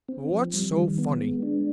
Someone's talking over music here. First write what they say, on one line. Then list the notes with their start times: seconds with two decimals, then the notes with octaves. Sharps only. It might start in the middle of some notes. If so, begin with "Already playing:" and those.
What's so funny?
0.09 C4
0.31 F3
0.54 G3
0.76 D#3
0.98 B3
1.20 G#3
1.43 D4